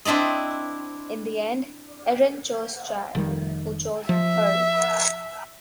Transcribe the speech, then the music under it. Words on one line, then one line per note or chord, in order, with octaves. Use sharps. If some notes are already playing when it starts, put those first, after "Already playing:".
In the end, Erin chose Chad, who chose her.
C4 D4 E4 D5 D#5
F1 D#3 G3
F3 E5